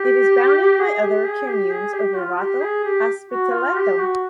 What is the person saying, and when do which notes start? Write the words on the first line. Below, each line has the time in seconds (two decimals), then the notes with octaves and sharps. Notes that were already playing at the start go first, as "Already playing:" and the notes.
It is bounded by other communes of Rovato, Ospitaletto.
Already playing: G4
0.79 G#4
1.02 G4
1.25 G#4
1.48 G4
1.71 G#4
1.94 G4
2.16 F4
2.39 G4
2.61 G#4
2.85 G4
3.30 F#4
3.53 F4
3.75 G4
3.99 F#4